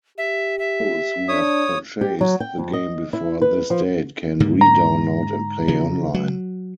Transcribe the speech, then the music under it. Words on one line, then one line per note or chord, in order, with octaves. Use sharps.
Those who have purchased the game before this date can re-download and play online.
G4 E5
E5
D4 C#5 D#6
G4
F#3
G5
F2
D#5
E4
B4
F3
G#2 D3 A#3
A#5
C#3 F3
F#3